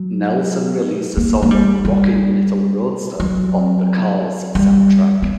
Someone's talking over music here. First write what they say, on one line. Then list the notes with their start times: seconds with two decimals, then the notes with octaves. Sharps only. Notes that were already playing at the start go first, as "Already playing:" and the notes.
Nelson released the song "Rockin' Little Roadster" on the "Cars" soundtrack.
Already playing: F#3
1.17 A#3
1.43 A#3
1.51 G3
1.85 G3
3.20 F#3
4.55 G3
5.22 B3